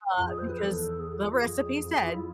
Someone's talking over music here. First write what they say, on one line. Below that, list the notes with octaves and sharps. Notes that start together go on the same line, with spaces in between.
uh, because the recipe said
F2 F4
G#4
C5
B4
E2 A4
G#4
G#4
F4
F4
F2 G#4
G#4
G#4
F4
E4